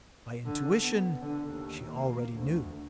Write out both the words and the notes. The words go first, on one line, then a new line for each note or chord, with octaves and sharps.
By intuition, she already knew.
D3
B3
D3
D#2
A#3
D2